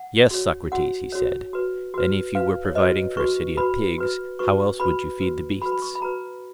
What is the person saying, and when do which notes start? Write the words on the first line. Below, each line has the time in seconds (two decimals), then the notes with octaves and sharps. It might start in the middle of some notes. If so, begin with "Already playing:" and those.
Yes, Socrates, he said, and if you were providing for a city of pigs, how else would you feed the beasts?
Already playing: F#5
0.31 F#4 C#5
0.72 F#4 C#5 F#5
1.12 F#4 C#5
1.53 F#4 B4
1.94 F#4 B4
2.35 F#4 B4 F5
2.65 C#5
2.75 F#4 B4 D#5
3.17 F#4 B4 C#6
3.57 F#4 B4 B5
3.98 F#4 B4
4.39 F#4 B4 C#6
4.80 F#4 B4 B5
5.21 F#4 B4
5.62 F#4 B4 B5
5.72 B5
5.82 C#6
5.95 B5
6.02 F#4 B4 A#5